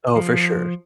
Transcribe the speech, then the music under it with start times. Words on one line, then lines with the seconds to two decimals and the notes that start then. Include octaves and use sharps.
Oh, for sure.
0.16 F3